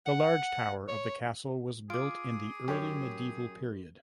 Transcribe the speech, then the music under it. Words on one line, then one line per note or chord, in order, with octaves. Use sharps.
The large tower of the castle was built in the early medieval period.
F#5
C#5
F4 G#4 D6 D7
F#2 G4 C#5